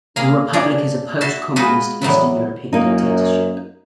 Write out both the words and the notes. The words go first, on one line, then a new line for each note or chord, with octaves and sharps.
The republic is a post-communist Eastern European dictatorship.
A#3 G#4 F5
D4 G#4 C#5 D5 A#5
F#4 E5 A5 C6
G#3 B3 D#4 F4 F#4 B4
E2 A2 F#3 B3
F#2 A#3 D#4